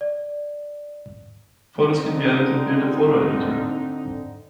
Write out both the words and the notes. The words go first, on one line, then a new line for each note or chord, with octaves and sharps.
Photos can be edited via the photo editor.
D5
D3 C4 D#4